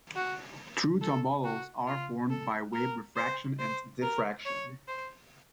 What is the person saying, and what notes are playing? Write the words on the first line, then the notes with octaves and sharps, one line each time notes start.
True tombolos are formed by wave refraction and diffraction.
F#4
A4
F#4
F4
A4
A#4
C5
C5
A#4
C#5
C5